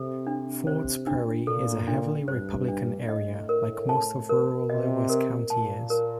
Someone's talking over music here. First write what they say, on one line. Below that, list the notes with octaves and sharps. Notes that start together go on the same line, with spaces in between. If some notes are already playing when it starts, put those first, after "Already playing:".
Fords Prairie is a heavily Republican area, like most of rural Lewis County is.
Already playing: C3 A4
D4
C5
D4
A#2 A4
D4
G2 C5
D4
A2 D#5
A#4
A5
A#4
C3 D#5
A#4
A#2 A5
A#4